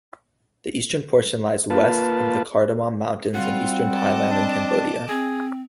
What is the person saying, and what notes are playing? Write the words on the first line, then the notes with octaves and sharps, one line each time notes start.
The eastern portion lies west of the Cardamom Mountains in eastern Thailand and Cambodia.
A#3 F4 B4 A5
G3 C4 F4 F#4
D#5 A5 D6
D4
C4 G#4